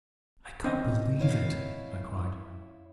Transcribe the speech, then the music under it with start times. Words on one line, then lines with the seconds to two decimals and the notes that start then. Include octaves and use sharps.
"I can't believe it," I cried.
0.64 C4 C#4 D#5
1.19 E4 C#5 F5